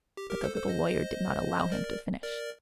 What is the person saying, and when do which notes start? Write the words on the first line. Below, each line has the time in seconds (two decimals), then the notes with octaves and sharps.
But the little lawyer did not allow him to finish.
0.17 G4
0.30 G4 A#4
0.44 A4 C5
0.55 A4 C5
0.68 C5 D#5
1.72 A#4 D5
2.23 A#4 D5